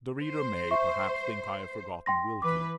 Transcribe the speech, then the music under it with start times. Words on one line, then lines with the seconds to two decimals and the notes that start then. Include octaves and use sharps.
The reader may, perhaps, think I have forgotten Wilkie.
0.22 C5
0.71 E5 C#6
2.06 G5 C6 A#6
2.42 E3 B4 D6